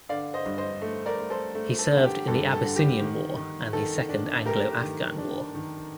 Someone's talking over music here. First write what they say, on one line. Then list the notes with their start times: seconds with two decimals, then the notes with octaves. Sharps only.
He served in the Abyssinian War and the Second Anglo-Afghan War.
0.09 D3 D5 F5
0.34 C5 D#5
0.46 G2
0.58 C5 D#5
0.82 A3
1.06 A#4 D5
1.19 A3
1.30 A4 C5
1.55 A3
1.79 A4
1.91 D3
2.04 G4
2.28 G2 A4
2.52 A4
2.64 D3
2.76 G4
3.00 D#3
3.37 D#3
3.73 D#3 A4
4.09 D4
4.46 A3 G4 A#4
4.82 D#3
5.18 D4
5.55 D#3